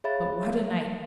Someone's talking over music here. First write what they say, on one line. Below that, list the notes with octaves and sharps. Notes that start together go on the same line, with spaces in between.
But what a night!
G#4 C#5 E5 F5 B5 A6